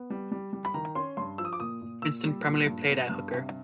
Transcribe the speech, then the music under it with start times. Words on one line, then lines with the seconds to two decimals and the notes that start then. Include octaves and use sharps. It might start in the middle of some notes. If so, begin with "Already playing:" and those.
Kingston primarily played at hooker.
Already playing: B3
0.10 G3
0.31 G3
0.53 G3
0.65 B5
0.74 D#3 A#5
0.95 C#4 C6
1.17 G2 C6
1.38 F3 E6
1.45 D#6
1.53 D6
1.60 A#2 D#6
1.81 A#2
2.02 A#2 E6
2.24 G3
2.45 A#2
2.66 G2
2.88 B3
3.10 G2
3.31 C3